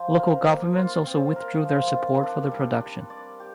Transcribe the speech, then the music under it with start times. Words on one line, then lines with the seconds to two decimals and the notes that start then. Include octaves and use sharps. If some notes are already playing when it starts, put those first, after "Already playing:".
Local governments also withdrew their support for the production.
Already playing: F3
0.19 A#4
0.48 A#3
0.78 F4
1.07 C4
1.36 A#4
1.65 F3
1.93 F4
2.23 D4
2.51 G3
2.80 D4
3.10 D5
3.40 G4